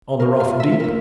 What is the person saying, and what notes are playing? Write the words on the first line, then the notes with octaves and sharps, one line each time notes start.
'On the rough deep.
A#4 F5
F5
F4
E5
A#4 E5